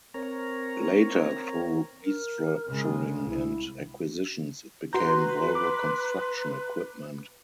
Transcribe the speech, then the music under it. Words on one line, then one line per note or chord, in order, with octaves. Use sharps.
Later, through restructuring and acquisitions, it became Volvo Construction Equipment.
C4 A#4 C#5 A#5
A#4
C#3 G#3
C2 E4
F#4 B4 A#5 C6 G6
D6